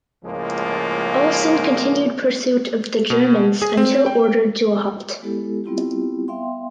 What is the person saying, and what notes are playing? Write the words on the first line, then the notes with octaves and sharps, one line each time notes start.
Olsen continued pursuit of the Germans until ordered to halt.
C#2 A2 F3 G#3 A#3
B2
G#4
C4
G5
G#3 B3 E4 G4 A4
G3 B3 C4 E4 F4 G4
B3 E5 F5 G5 C6